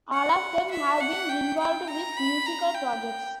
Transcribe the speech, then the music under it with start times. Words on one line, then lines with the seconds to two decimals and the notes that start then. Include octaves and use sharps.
All of them have been involved with musical projects.
0.13 F#5
0.71 E5
1.00 F#5
1.29 G5
1.59 G5
1.88 A#5
2.17 B5
2.46 A#5
2.75 G5